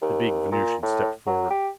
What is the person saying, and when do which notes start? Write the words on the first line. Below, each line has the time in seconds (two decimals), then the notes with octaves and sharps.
The big Venusian stepped forward.
0.02 D#2
0.52 A#2
0.82 A2
1.27 F#3
1.50 G4